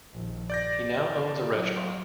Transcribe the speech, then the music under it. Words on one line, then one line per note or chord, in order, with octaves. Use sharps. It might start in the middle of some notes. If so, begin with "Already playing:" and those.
He now owns a restaurant.
A#1 D#2
G2 D5 G6 A#6
F#3